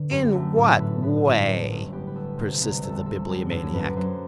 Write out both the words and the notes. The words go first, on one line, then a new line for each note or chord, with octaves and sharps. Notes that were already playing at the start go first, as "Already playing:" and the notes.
"In what way?" persisted the Bibliomaniac.
Already playing: D3 B4
F#2 G4
A3
A2 A4
A2 B4
A2 B4
A2 A4
F#2 G4
G1
B3 G4
B4
B3 A4
C3 C5
C2 B4
C3 A4
C3 A4
F#2 G4
F#2 A4
F#2 B4
F#2 C5